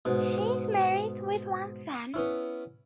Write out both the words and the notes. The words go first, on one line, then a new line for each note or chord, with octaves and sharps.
She is married with one son.
G#2 B2
B3 C#4 E4